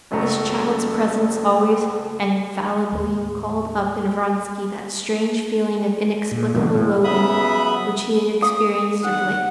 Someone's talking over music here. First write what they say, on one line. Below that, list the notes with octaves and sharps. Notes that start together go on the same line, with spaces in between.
This child's presence always and infallibly called up in Vronsky that strange feeling of inexplicable loathing which he had experienced of late.
F#1 C#2 F#2 A3 A#5
D#2 A2
A#2
A1 F#2 B2 D3
A2
F#2 C#3 B3 E5 B5 D#6
D#6
F#5